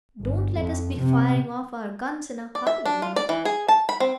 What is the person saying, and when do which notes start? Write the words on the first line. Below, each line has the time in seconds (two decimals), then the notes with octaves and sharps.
Don't let us be firing off our guns in a hurry, you know.
0.22 G1
0.57 F2
0.99 C3
2.55 D5
2.67 E5
2.86 D4
3.02 F4
3.16 D5
3.29 E3
3.45 G#4
3.68 A5
3.89 B5
4.00 C4